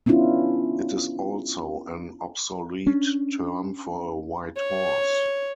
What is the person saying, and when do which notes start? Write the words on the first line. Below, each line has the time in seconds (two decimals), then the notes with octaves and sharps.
It is also an obsolete term for a white horse.
0.06 B3 C#4 D4 E4 F4
2.87 C#4 D4
4.57 C#5